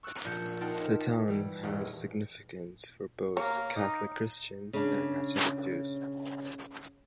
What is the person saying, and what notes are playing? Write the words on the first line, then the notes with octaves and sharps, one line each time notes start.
The town has significance for both Catholic Christians and Hasidic Jews.
C#6 E6 F#6
A#1 A#2 G6 C#7
E6
D#4 F4 A#4 F#5 G5 A5
E3 G3
D#1 A1 E2
A#3 C#5
D#4
C#3 D4